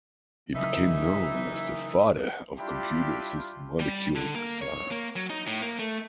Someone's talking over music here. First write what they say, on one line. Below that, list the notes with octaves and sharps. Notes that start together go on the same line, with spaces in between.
He became known as the 'father of computer-assisted molecule design.
C#3 E3 F#3 D#4 E5
G3 D4 E4 F4 G4
G3
D3
A#3
C#5
A#3
F#3
D#4
A2
A#3
A3